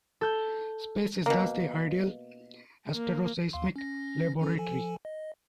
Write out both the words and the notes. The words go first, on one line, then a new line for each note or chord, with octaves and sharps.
Space is thus the ideal asteroseismic laboratory.
A4 G6
B2 A#3
A#3
D#2 F5 C6
C#4 A#6
E3 C#4 A4
F3 A4 G#5
D#5